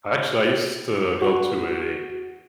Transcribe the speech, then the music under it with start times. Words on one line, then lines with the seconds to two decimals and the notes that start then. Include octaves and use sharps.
Actually, I used to go to a
1.22 F#4